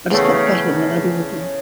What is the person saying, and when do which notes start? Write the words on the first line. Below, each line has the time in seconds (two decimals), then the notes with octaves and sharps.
I'll just pop the kettle on and then I'll be with you.
0.10 E2 C#3 A3